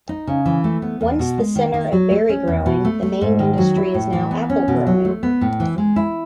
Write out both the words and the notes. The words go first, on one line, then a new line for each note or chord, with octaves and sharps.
Once the center of berry growing, the main industry is now apple growing.
D#4
C#3
E3
A3
B3
E2
B2
G#3
D#3
D#3
F#3
A3
C#4
E2
B2
A3
A3
G#2
D#3
F#3
E4
A2
E3
B3
C#4
B2
F#3
A3
B3
A2
E3
G#3
E4